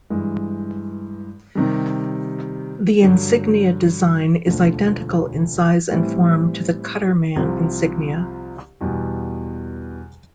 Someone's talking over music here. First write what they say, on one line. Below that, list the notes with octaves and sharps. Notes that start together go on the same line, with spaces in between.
The insignia design is identical in size and form to the cutterman insignia.
G2 E3 G#3
C3 D#3 G3
G2 D3 F#3
E1 D2 D3 F3
A2 E3 G3 C4 E4
C2 C3 F3
E2 B2 G3